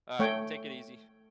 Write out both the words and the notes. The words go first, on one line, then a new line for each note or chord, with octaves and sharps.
Alright, take it easy.
A3 C#5 G5